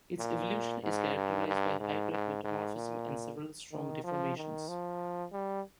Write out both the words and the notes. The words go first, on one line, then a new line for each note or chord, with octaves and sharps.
Its evolution is characterized by high-grade metamorphism and several strong deformations.
A#2
G#2
G2
G2
G#2
G#2
G#2
A#2
D#3
F3
D#3
F3
G3